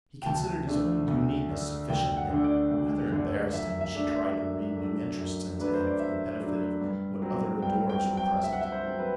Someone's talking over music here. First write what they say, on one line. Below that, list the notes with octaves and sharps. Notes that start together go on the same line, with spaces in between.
He considered his own uniqueness sufficient, and it rather embarrassed him when she tried to read new interests into him for the benefit of what other adorers were present.
G5
D2 A5
D3 A3 D4
D2
D3 A3 D4
D2 G5
F#5
D3 A3 D4
D5
D2
D3 A3 D4
F#2 E5
E5
F#3 A3 D4
E5
F#2
F#3 A3 D4
F#2
F#3 A3 D4 B4
C5
D5
F#2 E5
F#3 A3 D4
G2
F#3 C4
G2 G5
G5
F#3 C4
G5
G2 E5
F#5
E5
C5
F#3 C4
B4